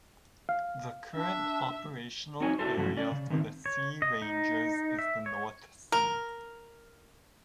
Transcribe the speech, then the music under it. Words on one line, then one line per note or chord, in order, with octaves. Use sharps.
The current operational area for the Sea Rangers is the North Sea.
F5
D4 E5
F#3 C4 D#4 C#5 D#5 G#5
D4 E4 F#4 G4 A4 C5
G2 C#3 F3 F#3 F#4
C#4 D5
C#3
D#3 B3 C4
C#5
D#5
D#4
E5
C#5
A#4